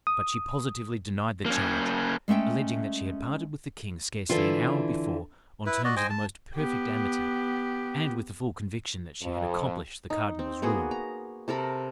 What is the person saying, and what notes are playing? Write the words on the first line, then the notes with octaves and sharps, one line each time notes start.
But she positively denied the charge, alleging that she had parted with the king scarcely an hour before on terms of the most perfect amity, and with the full conviction that she had accomplished the cardinal's ruin.
D#6
A#3 C#4
G#3 A3 C#4 E5 G5
D3 E3 E4 F4
E4 B4
F#4 D5 D#5
C5 D#5 G5 G#5
A5
B3 G4
F2
D#4
C4
A#3 B3 F#4 G#4
A#5
C3 A4 A#4 B5